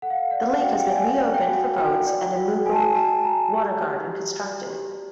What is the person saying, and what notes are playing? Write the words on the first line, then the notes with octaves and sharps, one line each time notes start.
The lake has been re-opened for boats and a Mughal Water Garden constructed.
A4 F#5
F5
F#5
D5 F#5
F#4 G5
G5
D5 G#5
D5
G5
F#4
F#4 G5
D5
F#4
F#4 G#5
A5
G#5
F#4 A5
F#4 A#5
G4
G4
G4
D5
G4